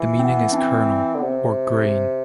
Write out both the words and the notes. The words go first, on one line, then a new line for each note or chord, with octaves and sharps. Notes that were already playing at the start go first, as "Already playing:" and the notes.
The meaning is "kernel" or "grain".
Already playing: E3
C4
B3
D4
C4
D3
C3 B3
C4